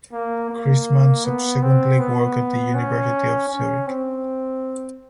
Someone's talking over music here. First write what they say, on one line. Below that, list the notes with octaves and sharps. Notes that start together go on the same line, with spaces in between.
Christman subsequently worked at the University of Zurich.
A#3
A#3
B3
C4
B3
C#4
C#4
C4